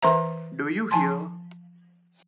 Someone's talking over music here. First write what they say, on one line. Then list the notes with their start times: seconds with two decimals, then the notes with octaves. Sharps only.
Do you hear?
0.02 E3 A#4 C5 E5 A#5
0.91 F3 G#5 A5 C6